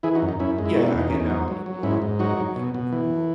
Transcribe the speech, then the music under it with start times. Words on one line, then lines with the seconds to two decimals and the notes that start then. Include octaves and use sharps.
Yeah, I get down on the floor, um, and and do 'em.
0.03 E3 E4 G#4
0.15 D#4 F#4
0.22 F#2
0.28 D#4
0.39 F#2 C#4 E4
0.58 G#3
0.66 E4
0.75 B2 D#4 F#4
0.88 C#4 E4
0.94 E2
0.99 D#4
1.10 E2 C#4
1.20 D#4
1.30 F#3
1.48 F#3
1.66 F#3
1.83 G#2 C#4 E4
2.02 G#2
2.19 F#3 D#4 F#4
2.37 F#3
2.56 B2
2.74 B2
2.92 E3